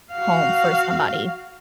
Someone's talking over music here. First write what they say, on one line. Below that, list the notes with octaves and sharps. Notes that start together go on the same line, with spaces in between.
home for somebody.
F#4 F5